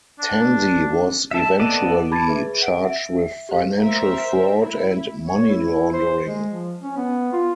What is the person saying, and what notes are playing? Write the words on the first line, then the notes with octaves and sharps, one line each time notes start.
Tanzi was eventually charged with financial fraud and money laundering.
D4
E5 A5
B3 A4 D5 D#5 A5
A5 B5 D6 G#6 A6
G#4 B4 E5
F#5 D7
E5
G4 C5 F5
A#4 C5 E5
E4
C#5
E4
C5
G#3
F3
C#4
B3
F4